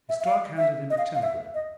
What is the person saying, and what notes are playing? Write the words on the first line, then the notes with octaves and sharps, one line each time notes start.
His clerk handed him a telegram.
E5
E5
F5
E5
D#5
F5
F5
E5
D#5